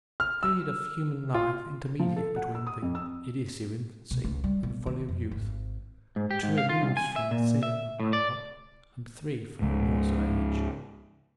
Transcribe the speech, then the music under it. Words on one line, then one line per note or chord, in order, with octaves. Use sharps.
The period of human life intermediate between the idiocy of infancy and the folly of youth--two removes from the sin of manhood and three from the remorse of age.
F6
E6
F4
F3
A4
F#5
E6
D#6
F2
E6
B2
C#2
G3
B1
D#3
F2
G#1
G#2
G4
G#2
F5
F4
C2
G#5
E5
A#2
E5
A2
D5
C#2 G#2